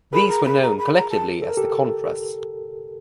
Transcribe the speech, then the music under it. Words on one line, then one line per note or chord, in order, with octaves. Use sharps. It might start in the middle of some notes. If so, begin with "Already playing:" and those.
These were known collectively as the Contras.
G#4 A#4 B5
A#5
B5
A#5
B5
A#5
A5
A4
A#4
G4 A4